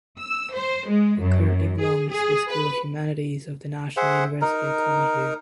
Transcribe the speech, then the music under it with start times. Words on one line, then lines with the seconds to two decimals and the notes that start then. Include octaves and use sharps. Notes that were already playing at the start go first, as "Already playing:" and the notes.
It currently belongs to the School of Humanities of the National University of Comahue.
0.20 E6
0.55 C5
0.88 G#3
1.20 F#2
1.81 G#4
2.10 G#4
2.49 B4
3.97 G#4 C5 E5 F#5
4.41 D#4 A#4